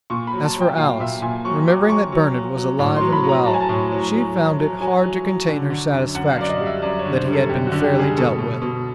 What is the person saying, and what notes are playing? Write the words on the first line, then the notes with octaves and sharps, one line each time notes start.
As for Alice, remembering that Bernard was alive and well, she found it hard to contain her satisfaction that he had been fairly dealt with.
A#2 C#6
B5
F#3
A5
F#3 G5
A#2 F5
A#2 E5
A#2 G#5
F#3 C#6
F#3 D6
F#3 C#6
F#3
F#3
F#3
A2
C6
F#3
B5
F#3
A#5
F#3 A5
G#5
A5
A2
F#3
F#3
F#3
F#3
F#3 G#5
F#3
F#3
D3
D3
F#2
F#2 F#5
F5
F#2 D5
D#5
G3
E5
F#2 D5
C#5
D3
C5
G3
A4
F#2 G4
F#4
D3
G4
G3
G#4
B2 A4
B2
B2